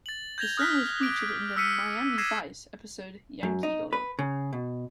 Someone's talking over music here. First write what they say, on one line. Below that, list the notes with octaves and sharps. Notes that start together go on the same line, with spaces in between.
The song was featured in the "Miami Vice" episode "Yankee Dollar".
A6 F#7
G6 G#6 A#6 F7 G7
D#6 F6 F#6 A#6 B6
D6 D7
E6 F6 B6 C#7 D#7
E6 G#6 A#6 C7 D#7 E7
F#2
D#4
B4
C#3
B2